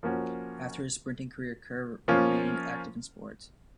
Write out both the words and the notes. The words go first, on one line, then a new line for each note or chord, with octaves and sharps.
After his sprinting career, Kerr remained active in sports.
F3 A#3 C#4 F#4
F3 A#3 C#4 F4